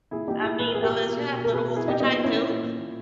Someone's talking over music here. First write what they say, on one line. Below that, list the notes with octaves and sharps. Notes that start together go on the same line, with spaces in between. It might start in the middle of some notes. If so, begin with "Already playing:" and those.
I mean, unless you have little ones, which I do,
A#2 E4 G#4
A#2 D#4 G4
A#2 E4 G#4
A#2 B4
A#4
A#2 G#4
G4 A#4
A#2
B2
B2
B2
A#4
B2 G#4 B4
B2
E4 G#4
B2 D#4 G4
A#2 B3 D#4
A#2
C#4 E4
A#2
A#2
A#2
A#2